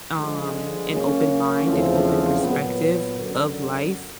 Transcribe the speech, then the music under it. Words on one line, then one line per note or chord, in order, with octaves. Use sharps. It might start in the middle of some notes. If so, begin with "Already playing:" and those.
um, an open mind and open perspective of life
D3 F3 G#3
C#3 F#3 A#3 C#4
E2 C#3 F3 A3 C4
A#2 F#3 B3
F#2 D3 F#3